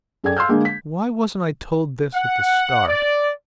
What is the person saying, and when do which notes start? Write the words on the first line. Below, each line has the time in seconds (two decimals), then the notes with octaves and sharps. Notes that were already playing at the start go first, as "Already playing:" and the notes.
"Why wasn't I told this at the start?"
0.24 F#2 G#4 A4 D5 G5 G#6
0.37 F5 C6 E6 F6 G6
0.49 D3 G#3 A#3 D4 G#4
0.65 B6
2.15 F#5
2.88 D5